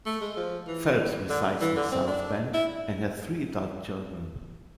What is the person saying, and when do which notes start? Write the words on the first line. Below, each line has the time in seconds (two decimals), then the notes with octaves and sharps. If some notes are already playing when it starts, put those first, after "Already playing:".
Phelps resides in South Bend and has three adult children.
0.06 A3
0.21 G#3
0.37 F3
0.67 E3
1.30 D3
1.61 E3
1.76 D3
1.92 C4
2.07 D4
2.54 E4